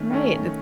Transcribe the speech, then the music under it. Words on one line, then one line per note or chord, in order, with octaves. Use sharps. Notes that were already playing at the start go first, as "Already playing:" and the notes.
Right. That's
Already playing: D#3 A3 C#4
D#3 A3 C#4